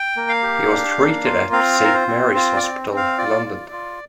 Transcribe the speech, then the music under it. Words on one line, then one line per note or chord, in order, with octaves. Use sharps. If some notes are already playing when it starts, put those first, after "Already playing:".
He was treated at Saint Mary's Hospital, London.
Already playing: G5
A#3
F5
G4
D4
A#3
F4
C4 F5
F4 A#4
C5
C4
F4 C5
D5
C4
C4
F5
F4 D5
F4
F4